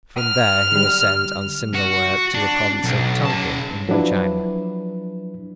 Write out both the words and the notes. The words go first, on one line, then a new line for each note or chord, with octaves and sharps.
From there he was sent on similar work to the province of Tonkin, Indo-China.
F6
D3 G3
F#4
D4
B1
C#3 A5
F3 F#3 D4 E4 B4